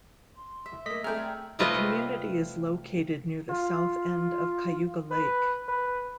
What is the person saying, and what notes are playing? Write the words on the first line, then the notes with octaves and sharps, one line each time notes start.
The community is located near the south end of Cayuga Lake.
C6
E5
A3 A#3 D#5 B6
A3 C4 G#4 D5 E5 G5 A#5 F6
C3 G3 A3 F4 B4 D#5
F4
B4
B4